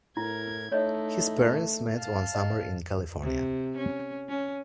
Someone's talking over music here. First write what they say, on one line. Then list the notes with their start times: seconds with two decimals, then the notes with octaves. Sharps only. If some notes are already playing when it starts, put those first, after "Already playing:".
His parents met one summer in California.
0.17 A2 E4 A#4 G#6
0.72 A3 D#4 E4 C#5 D#5
1.98 F5 A5
2.35 D#5
3.22 C3
3.77 C#4
4.29 C#4